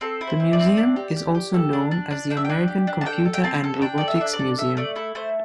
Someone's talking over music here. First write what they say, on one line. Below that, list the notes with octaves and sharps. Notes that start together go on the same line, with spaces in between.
The museum is also known as the American Computer and Robotics Museum.
C4 A4
E4
C5
C4
D5
C4
D4
G4
G4
G4
A4
D4
D4
D4
D4 G5
E5
D4 G5
G4
D4
A5
A4 G5
A4
G5
C4 A5
A4
D4 G5
A4 D5
E5
D4
D5
A4
A4 E5
A3 D5
E4 A4
A3 C5